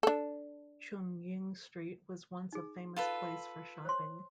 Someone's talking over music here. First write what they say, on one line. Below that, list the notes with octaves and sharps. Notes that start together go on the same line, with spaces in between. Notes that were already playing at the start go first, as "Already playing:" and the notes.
Chung Ying Street was once a famous place for shopping.
D4 A4
D#4 G#4
F4 A4 B4
C5 C#5 C6